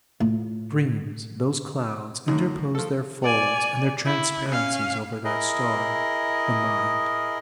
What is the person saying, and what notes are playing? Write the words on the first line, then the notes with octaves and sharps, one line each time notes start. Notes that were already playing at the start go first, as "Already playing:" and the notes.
Dreams, those clouds, interpose their folds and their transparencies over that star, the mind.
A2 F4
F#2 A2 D#4
F3 A4
D5 G#5
E4
C#4 F5
E4 G#4 A#4 D#5